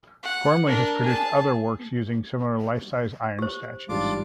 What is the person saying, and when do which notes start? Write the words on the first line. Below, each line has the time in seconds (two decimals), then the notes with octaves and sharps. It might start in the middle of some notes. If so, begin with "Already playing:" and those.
Gormley has produced other works using similar life-sized iron statues.
0.23 F#5
0.66 D4 A#4
1.03 G#4 A5
3.39 G4 C5
3.89 A1 G#2 G3 D4 F4 D6